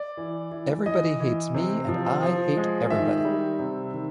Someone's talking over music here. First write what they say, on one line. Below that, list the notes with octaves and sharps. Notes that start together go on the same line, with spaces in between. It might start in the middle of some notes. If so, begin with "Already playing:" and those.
Everybody hates me, and I hate everybody!
Already playing: D5
E3
E3
E3 D#5
E3
C3
F3
F3
G#3
D#3 E5
G3
C3
D#3